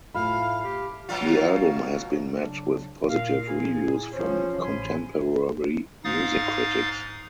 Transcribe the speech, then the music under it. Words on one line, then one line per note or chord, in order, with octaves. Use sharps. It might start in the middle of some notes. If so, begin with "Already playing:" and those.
The album has been met with positive reviews from contemporary music critics.
A2 F4 E5 F5 B5
G4
B2 F#3 F4
C#3 F#3 D4
A#2 A#4 F5
E4 G#4
F3 C#4 C5
A1 G#5 B5 C6
G#2 D#4 F5 D#6 A6